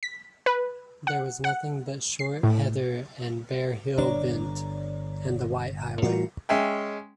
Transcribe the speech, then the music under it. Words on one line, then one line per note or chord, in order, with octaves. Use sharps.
There was nothing but short heather, and bare hill bent, and the white highway.
B6
B4
F#5
F#5
C7
A2
G1 D4 C#5 D5 A#5
A2 E3 G3 F4 F#4 A#4
G#3 C#4 E5 G5